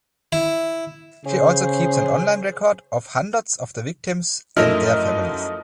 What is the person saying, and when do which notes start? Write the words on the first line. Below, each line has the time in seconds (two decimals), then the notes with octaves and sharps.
She also keeps an online record of hundreds of the victims and their families.
0.32 E4
1.26 C#3 C#4 G#4 C5
4.57 F#2 F3 A3 D#4 E4 A#4 D#5 F6